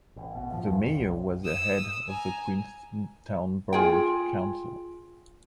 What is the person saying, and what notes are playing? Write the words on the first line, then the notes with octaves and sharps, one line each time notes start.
The mayor was the head of the Queenstown Borough Council.
A1
B2
F3
E2
F2
B1
D#6 E6
G#5 A#5
F4 G#4 G5